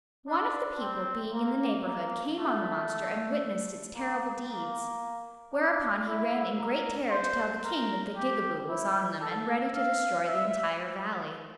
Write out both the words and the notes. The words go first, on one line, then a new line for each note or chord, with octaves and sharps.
One of the people, being in the neighborhood, came on the monster and witnessed its terrible deeds; whereupon he ran in great terror to tell the King that the Gigaboo was on them and ready to destroy the entire valley.
D4
C4
A#3
A#3
A3
A#3
A#3
D4
E4
A#4
C5
A#4
G4
E4
A4
F5
E5